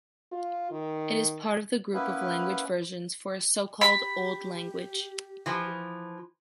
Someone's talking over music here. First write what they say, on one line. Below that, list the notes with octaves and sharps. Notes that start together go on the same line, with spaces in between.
It is part of the group of language versions for a so-called old language.
F4
D#3
A#3 B3 C#4 E4 B4
G4 B5
E3 F3